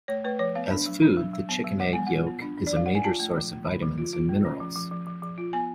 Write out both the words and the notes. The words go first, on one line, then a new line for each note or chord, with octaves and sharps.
As food, the chicken egg yolk is a major source of vitamins and minerals.
A3 C#5
A3 B4
F3 C#5
B3 F5
D4
F#3
D4
F#3
F#3
B3
F#3
F3 F#5
B3 G#5
F4 F#5
B3
D4
D4
D5
F3 F5
D4 F#5
G#5
F4 A5
A3
F3
A3
D3
F3
F4
F4
A3
C#4
F3
F3
F3
F3
F3
F4
B3 G#5